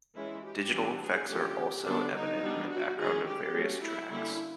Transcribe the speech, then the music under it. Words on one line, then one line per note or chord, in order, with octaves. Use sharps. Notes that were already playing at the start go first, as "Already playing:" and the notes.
Digital effects are also evident in the background of various tracks.
E3 G#3 C#4 E4
G4
E3 G3 B3 D4
G#4
D3 F3 A3 C#4 G4
D3 G3 B3 D4
D#4
G3 B3 D4
F#4
D#3 G#3 C#4 G#4
G4
F#3 A3 C#4
E4
D3 G3 A#3 C#4 E4